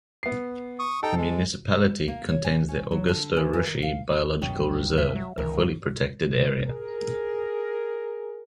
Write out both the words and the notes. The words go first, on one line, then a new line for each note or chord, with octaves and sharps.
The municipality contains the Augusto Ruschi Biological Reserve, a fully protected area.
B3 C7
C#6 D#6
D#4 A4 G5
G#3
A#3
C#5
G#5
C#4
F#3
D3
E3
E3
D#3
F5
B1 F#2 B2 D#3 C#4
G#1 G2 G3
D#2 E5
F#3
C#2 D#3 E3 A#4
G#4 A#4